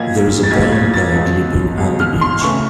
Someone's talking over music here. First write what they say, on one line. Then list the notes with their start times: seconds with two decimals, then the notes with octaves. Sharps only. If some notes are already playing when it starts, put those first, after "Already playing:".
There is a brown dog leaping on the beach.
Already playing: B1 A#2 F3 G#6
0.43 A6
0.51 B1 A#2 F3 G#6
0.73 G#6
0.94 A6
1.14 C#2 B2 F#3
1.78 C#2 B2 F#3
2.00 F6
2.21 C6
2.41 C#3 E3 A3 C#6